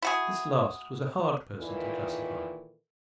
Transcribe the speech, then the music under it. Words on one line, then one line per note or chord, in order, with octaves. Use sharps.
This last was a hard person to classify.
E4 F#4 G#4
A#2 D#3 E3 A4